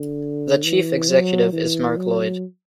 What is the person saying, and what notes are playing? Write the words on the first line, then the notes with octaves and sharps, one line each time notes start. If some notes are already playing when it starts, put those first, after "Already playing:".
The Chief Executive is Mark Lloyd.
Already playing: D3
E3
F#3
E3
F#3